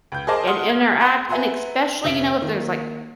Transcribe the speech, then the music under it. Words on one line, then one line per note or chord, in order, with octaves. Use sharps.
and interact, and especially, you know, if there's like
C#2 G6
G#4 A#4 C5 D#5 A5 D6
F#5 C6 D#6 F6
G#6
F#5 B5 C6 F#6 G6
B4 E5 F#5 G#5 A#5 C6
F1 E5 D7
D#3 A#3